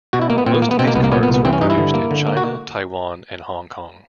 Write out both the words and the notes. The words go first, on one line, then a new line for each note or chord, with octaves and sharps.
Most of these carts were produced in China, Taiwan and Hong Kong.
B2 F#4
E4
A#3
B3
A#2 C4
B3
A#3
B3
B2 C4
A#3
C2 B3
A#3
A#2 B3
B3
C2
B3
E3 C4
C#4
G2 D#4
E4
D3
A#3
D3
A#3
F#4